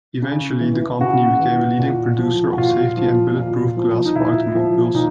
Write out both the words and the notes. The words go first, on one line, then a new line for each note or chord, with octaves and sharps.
Eventually the company became a leading producer of safety and bullet-proof glass for automobiles.
C#3
E3
C#3 F#4
E3
A#2
F3
F#4
A#2 F4
F3
A#2
F3
D#4
A#2 E4
F3
A#2 D#4